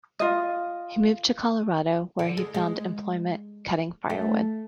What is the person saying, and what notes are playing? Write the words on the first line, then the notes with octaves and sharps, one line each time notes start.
He moved to Colorado, where he found employment cutting firewood.
F4 D#5
D3
G#3
G#3
A3